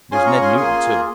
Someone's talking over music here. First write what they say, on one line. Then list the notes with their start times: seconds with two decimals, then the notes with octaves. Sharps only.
There's Ned Newton, too.
0.12 C#4 F4 G#4 G#5 C6
0.27 A#5 C#6
0.42 G#5 C6
0.56 A#3 F4 G#4 G#5 C6